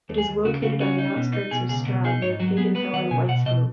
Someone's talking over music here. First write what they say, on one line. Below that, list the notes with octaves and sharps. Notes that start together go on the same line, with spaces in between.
It is located on the outskirts of Stroud near Paganhill and Whiteshill.
D#2
G#4
D#2
C#3 F#4
C#3 F#4
C#4 F#4
D#4
B2
D#4
B2 G#4
C#2 G#4
B2
D#4 G#4
G#2 C#5
F#3 F#4
B3 G#4
B3 B4
D#3 F#5
B2 G#5
B2 F#5
B2 D#5